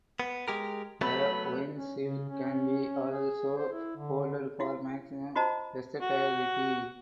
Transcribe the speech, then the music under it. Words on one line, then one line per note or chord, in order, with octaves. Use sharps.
The windshield can be also folded for maximum versatility.
B3
G#3 G4 A#4
F#3 A3 B3 B5
C#4
C#3
C#4
G#4
C5
E4
D3
E4 F#4 F5
F4 F#4 C5 D#5 A5 A#5
F#4